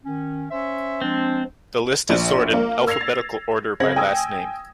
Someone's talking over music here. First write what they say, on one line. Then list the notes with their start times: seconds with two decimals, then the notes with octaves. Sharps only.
The list is sorted in alphabetical order by last name.
0.05 D#3 C#4
0.51 C#4 C5 E5
1.02 F3 G#3 C4 D4
2.09 A#1
2.53 A#3
2.87 E6 G#6 A#6 C7 F7
3.01 A6
3.80 C#3 C4 G#6 A#6 F#7
3.96 G5 G#5 D#6 E6